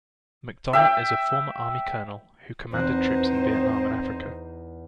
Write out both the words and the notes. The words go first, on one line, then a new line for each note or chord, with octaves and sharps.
McDonough is a former Army colonel who commanded troops in Vietnam and Africa.
E5 G5
E2 C4 D#4 C5 F#6